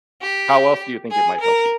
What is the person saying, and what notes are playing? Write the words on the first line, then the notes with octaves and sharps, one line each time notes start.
how else do you think it might help you?
G4
G#4
A#4